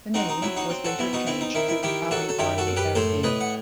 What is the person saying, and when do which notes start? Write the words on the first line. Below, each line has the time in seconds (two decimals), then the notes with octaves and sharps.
The name was later changed to Allen Army Airfield.
0.14 C4 D#4 F#4
0.29 D#4
0.42 F#3 E4
0.56 D#4 F#4
0.70 C4
0.85 F#4 A4
0.99 B2 E4
1.13 D#4 F#4
1.27 C4 E4
1.41 D#4
1.55 D#3 E4
1.69 E4
1.83 D#3 E4 G4
2.11 F#3 F#4 A4
2.29 A4
2.39 F#2 E4 G4
2.58 F#4 A4
2.67 F#2
2.76 G4 B4
2.95 A2 A4 C5
3.23 A2 B4 D#5
3.41 F#5